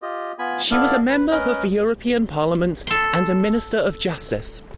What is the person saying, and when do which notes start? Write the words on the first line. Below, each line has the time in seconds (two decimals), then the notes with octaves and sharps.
She was a member of the European Parliament and a Minister of Justice.
0.02 F4 G4 D#5
0.39 B3 F4 G#5 B5
0.71 B3 E4 A4 D5 F5
1.09 B4
1.31 C#4 A#4 B4 D#5
2.87 A4 C6